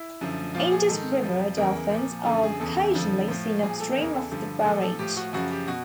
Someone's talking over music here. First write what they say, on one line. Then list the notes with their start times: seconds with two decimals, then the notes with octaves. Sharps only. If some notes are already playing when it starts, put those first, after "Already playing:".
Indus River dolphins are occasionally seen upstream of the barrage.
Already playing: E4
0.21 F#2 D3 F3
0.55 A#2 F3 F4
0.72 G#4
0.88 G#2 D#3 A4
1.23 F2 C3 F3
1.57 E2 C#3 E3 A#4
1.91 A#2 F3
2.25 F#2 D3 F3 A4
2.43 G#4
2.60 E2 C#3 E3 A4
2.94 F2 D3 F3
3.28 A2 F3
3.62 A#2 F3 G#4
3.80 A4
3.97 E2 C#3 E3 A#4
4.14 A4
4.30 G2 D3 F3 A4
4.65 A#2 F3 A4
4.82 A4
4.99 A2 F3 G4
5.17 F#4
5.33 F#2 C#3 F3 F#4
5.51 G4
5.68 B2 F#4